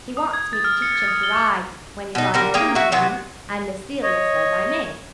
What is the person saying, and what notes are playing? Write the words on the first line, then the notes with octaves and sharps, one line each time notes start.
He wants me to teach him to ride when he's on his pins again, and Miss Celia says I may.
D#6
G#6
A6
F6
C#7
A6
D#6
G7
D6
B2 D#4
D3 G3 A#4
A#3 G#4 G5 A#5
F#4 E5
C3 F#3 B3
C#5 D#5